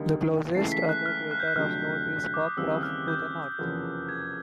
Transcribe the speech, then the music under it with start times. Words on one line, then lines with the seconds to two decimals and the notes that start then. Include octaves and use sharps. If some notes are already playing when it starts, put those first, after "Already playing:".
The closest other crater of note is Cockcroft to the north.
Already playing: D#2 D3 G3 A#3 D#4
0.55 C#2 C#3 E3 A3 C7
0.72 B6
0.89 F#6
1.06 F6
1.31 F#6
1.40 G6
1.48 F#6
1.56 F1 F2 D3 F#3 A3 F6
2.34 D6
2.46 D#6
2.57 D#2 C#3 E3 G3 C4 E6
2.83 F6
3.08 G6
3.58 F1 E2 C#3 F3 A#3
4.09 G#6
4.22 G6